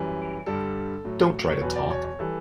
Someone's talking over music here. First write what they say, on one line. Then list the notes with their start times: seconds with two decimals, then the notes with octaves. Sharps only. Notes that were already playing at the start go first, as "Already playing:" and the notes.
Don’t try to talk!
Already playing: F#2 E3 G3
0.46 G2 D3 G3 A4
1.05 A2 F#3
1.50 C#5
1.61 E2 B2 F#3 B4
1.76 D5
1.90 C#5
2.05 C#5
2.19 E3 G3 A4